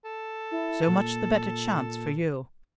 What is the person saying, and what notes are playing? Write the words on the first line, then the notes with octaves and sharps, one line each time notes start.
"So much the better chance for you."
A4
E4
A#2